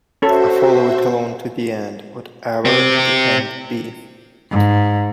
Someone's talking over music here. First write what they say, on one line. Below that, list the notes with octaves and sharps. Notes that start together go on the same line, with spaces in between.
I follow it alone to the end, whatever the end be.
C#4 F#4 A4 C5 E5
C4 G4
G#2